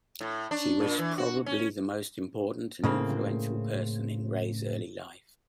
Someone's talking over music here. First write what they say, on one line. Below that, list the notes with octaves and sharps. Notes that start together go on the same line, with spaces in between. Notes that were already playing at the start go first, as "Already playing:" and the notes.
She was "probably the most important and influential person" in Ray's early life.
A2
D4
A#2
E3
F#4
C#4
A2 C#3 A#3 C4